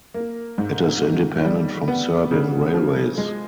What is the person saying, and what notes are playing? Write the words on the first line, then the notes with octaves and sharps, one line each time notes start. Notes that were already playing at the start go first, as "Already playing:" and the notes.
It is independent from Serbian Railways.
A#3
G#2
D#3
G3
B3
C#3
F3
G#3